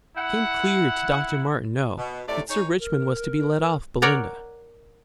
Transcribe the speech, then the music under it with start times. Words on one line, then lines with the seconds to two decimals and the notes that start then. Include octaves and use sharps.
It became clear to Dr. Martineau that Sir Richmond was to be let off Belinda.
0.17 E4 F#5
1.98 B2
2.28 A2 C3 A3 D5
2.49 D#4 G#4 C#5
2.79 A#4
4.02 A#4 C#5 D5 F#5 A#5